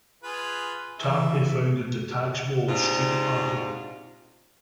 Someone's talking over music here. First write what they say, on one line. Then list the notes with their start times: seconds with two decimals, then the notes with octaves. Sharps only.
Tarpley founded the Tax Wall Street Party.
0.23 F4 G#4 B4
0.99 E3 E5
2.68 G#2 C3 D4 F4